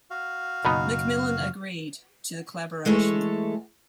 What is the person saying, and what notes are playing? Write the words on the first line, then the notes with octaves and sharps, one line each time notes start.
McMillan agreed to the collaboration.
F#4 F5
F#1 B2 B3 D#4
E3 G#3 A3 A4 C#5